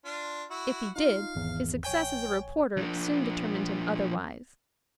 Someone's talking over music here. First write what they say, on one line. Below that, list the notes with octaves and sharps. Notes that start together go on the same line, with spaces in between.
If he did, his success as a reporter soon determined him otherwise.
D4 F4
E4 F#4
D#4 F4 F5
G#1 E2
A#1 C#5 G5 G#5
F3 D4